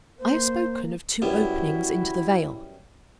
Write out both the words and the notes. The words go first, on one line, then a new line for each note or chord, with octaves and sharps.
I have spoken of two openings into the vale.
A#3 C5
F#2 G3 B3 E4 F#4